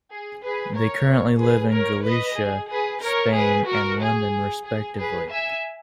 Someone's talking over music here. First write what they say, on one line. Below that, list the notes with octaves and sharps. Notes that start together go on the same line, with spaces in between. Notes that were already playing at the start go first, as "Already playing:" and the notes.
They currently live in Galicia, Spain and London, respectively.
G#4
G#4 B4
A#4 C#5
G#4 B4
A#4 C#5
B4 D#5
G#4
G#4 B4
A#4 C#5
G#4 B4
F#4 A#4
G#4
G#4
G#4 B4
E5 G#5